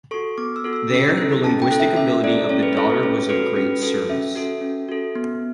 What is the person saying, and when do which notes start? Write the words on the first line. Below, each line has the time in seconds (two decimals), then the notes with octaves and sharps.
There the linguistic ability of the daughter was of great service.
0.11 F#4 A4 C#6
0.38 B3 D6
0.56 E6
0.64 F#4 A4
0.73 E6
0.91 C#4
1.17 E4 A4
1.44 C#4 A5
1.62 G5
1.71 E4 A4
1.80 E5
1.96 C#4 E5
2.24 E4 A4 D5
2.49 C#4 C#5
2.63 B4
2.77 E4 A4 C#5
2.90 B4
3.02 C#4 C#5
3.29 F#4 A4 B4
3.55 C#4 B4
3.82 F#4 A4
4.09 C#4 E5
4.35 F#4 A4
4.61 C#4
4.89 F#4 A4
5.15 B3